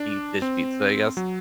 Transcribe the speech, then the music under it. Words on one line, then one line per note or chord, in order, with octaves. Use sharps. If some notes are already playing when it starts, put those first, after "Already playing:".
deep dish pizza, I guess,
Already playing: D4
C4
F#3